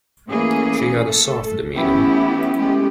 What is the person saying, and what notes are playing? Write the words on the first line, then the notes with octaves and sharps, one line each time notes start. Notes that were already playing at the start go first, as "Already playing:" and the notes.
She had a soft demeanour.
E3 A3 A#3 C#4 G#4
A3 A4
E3 A3 B3 C#4 E4 G4
G#3 A3 B3 C#4 G4